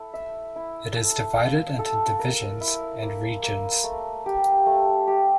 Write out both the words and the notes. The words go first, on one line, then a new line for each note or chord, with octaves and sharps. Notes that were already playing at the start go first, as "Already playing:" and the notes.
It is divided into divisions and regions.
Already playing: E4 A4
E5
E4
A4
F5
A4
A#4
E4
A#3
A#3
A3
G4
A3
G4